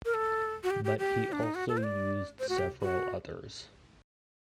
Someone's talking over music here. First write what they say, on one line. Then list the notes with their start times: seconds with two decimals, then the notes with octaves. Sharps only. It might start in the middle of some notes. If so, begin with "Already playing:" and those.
But he also used several others.
0.05 A#4
0.14 A4
0.63 F#4
0.71 G4
0.84 G4
0.99 G4
1.32 D4
1.43 D#4
1.55 F#4
1.69 A4
1.77 C5
1.83 D5
2.40 C5
2.49 F#4
2.59 G4
2.82 F#4